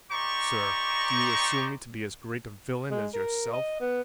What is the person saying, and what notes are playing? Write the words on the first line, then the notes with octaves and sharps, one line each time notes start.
"Sir, do you assume me to be as great a villain as yourself?"
D#4 G4 C5 D5 A#5 C#6
G#3
A#4
D#5
B3